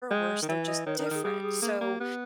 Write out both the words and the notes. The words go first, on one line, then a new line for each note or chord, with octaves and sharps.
or worse, they're just different. So
G#3 G5
D#3
E3 E5
D#5
D#3 C#5
B4
D#3
A#4
D#3 G#4
G3 G#4
G#4
A#3 G#4
A#3 G4
B3 G4